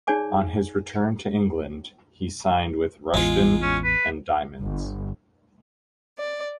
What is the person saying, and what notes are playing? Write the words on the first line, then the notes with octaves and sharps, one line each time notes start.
On his return to England, he signed with Rushden and Diamonds.
D#4 G#4 C#5 D5 G#5 D6
A1 E2 G#3 F4
C#4
B4
G1
D5